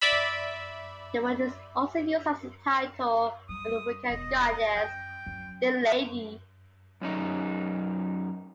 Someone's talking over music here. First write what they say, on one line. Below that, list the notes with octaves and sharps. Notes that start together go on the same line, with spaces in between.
The word is also used as a title of the Wicca goddess, "The Lady".
D5 E5 B5
G3 D#6
E1 D#5
F#2 G5
F#2
F#2 C#4 D#4